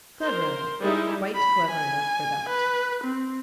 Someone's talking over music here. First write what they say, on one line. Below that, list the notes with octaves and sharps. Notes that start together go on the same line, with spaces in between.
"Clever enough--quite clever enough for that."
A#4 C5
G3 G#3 D#4 E4
B5
G#5
B4
C4